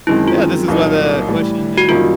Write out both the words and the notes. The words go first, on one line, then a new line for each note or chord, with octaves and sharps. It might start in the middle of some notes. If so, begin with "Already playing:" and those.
Yeah, this is why the question, you know
F#2 D#3 G#3 C4 E4
F4
C2 A#2 F#3 A#3 D#4
A2 E3 G3
F#4
F#2 D#3 G3 A#3 D#4 F4